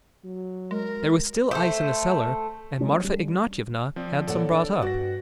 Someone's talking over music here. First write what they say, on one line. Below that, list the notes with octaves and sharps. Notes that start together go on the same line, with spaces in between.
There was still ice in the cellar, and Marfa Ignatyevna had some brought up.
F#3
G#3 A#4
A3 C5
F#3 G#3 C#4
G3
F3 C4 D5
A#2 D3 A4 C#5 D5 F#5
D4
G2 F#4 D5 F#5 A#6